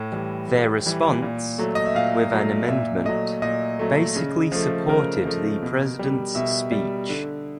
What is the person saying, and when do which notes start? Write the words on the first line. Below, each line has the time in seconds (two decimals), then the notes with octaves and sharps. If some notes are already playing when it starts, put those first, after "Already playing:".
Their response, with an amendment, basically supported the President's speech.
Already playing: A2
0.12 E3 G3
0.49 A2
0.86 E3 G3
1.22 A#2
1.58 F#3 A3
1.75 D#5
1.86 E5
1.95 A#2 F5
2.32 F#3 A3
2.68 A#2 E5
3.05 F#3 A3 D#5
3.42 A#2 D#5
3.79 F#3 A3
4.16 C#3
4.52 F3 A3
4.89 C#3 A#4
5.25 F3 A3
5.63 B2
5.99 G3
6.35 B2 E5
6.72 G3
7.09 D3